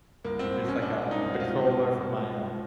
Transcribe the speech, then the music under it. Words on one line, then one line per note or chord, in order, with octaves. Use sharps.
just, like, a controller for my, uh,
C2 A#3
C2 C4
B2 C#4
B2 D4
G#3
D#4
C2
F#4
B2 F4
C2
B2
C2
G#3
C2